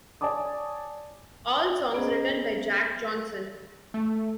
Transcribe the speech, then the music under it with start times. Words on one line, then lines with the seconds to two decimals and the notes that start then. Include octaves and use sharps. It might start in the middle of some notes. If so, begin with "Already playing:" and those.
All songs written by Jack Johnson.
0.21 C#5 D5 G#5 A5 D6 D#6
1.94 B3 C#4 G#4 C5 D#5 A#5
3.94 A3